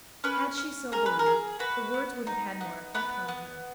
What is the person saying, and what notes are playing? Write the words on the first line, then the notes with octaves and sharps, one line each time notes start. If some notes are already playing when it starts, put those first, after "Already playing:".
Had she so believed, the words would have had more effect on her.
C#4 B4
C#4
G#4 A#4
B4
A#4
G#4
F#4 B4
B3
D#4
B3
B3 B4
B3